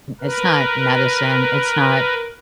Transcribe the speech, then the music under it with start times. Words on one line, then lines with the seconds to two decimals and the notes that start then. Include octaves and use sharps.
it's not medicine, it's not
0.21 A#4 B4